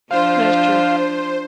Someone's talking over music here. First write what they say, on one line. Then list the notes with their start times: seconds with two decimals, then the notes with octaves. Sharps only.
That's true.
0.11 F3 D4 F4 C5 F5